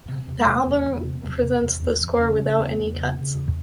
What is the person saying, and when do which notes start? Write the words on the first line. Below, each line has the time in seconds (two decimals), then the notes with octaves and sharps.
The album presents the score without any cuts.
0.09 C3
0.27 E2
0.38 G#3
0.47 C3 A#3
0.66 E2
0.85 E2
0.95 A#3
1.04 C3 C4
1.23 E2
1.43 C3
1.61 E2
1.81 E2
2.00 E2
2.19 C#3 C#4
2.39 C#3
2.57 E2
2.66 C4
2.76 E2 A#3
2.95 C#3
3.15 C#3
3.34 E2